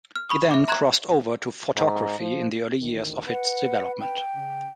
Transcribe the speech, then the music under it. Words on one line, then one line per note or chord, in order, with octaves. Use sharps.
He then crossed over to photography in the early years of its development.
F6
B5 C#6 D#6
E5 D6
E5 A#5 C6 F#6 G#6 E7
G#2
F3
A1 D2 D#3
B4 F#5
G5
C#3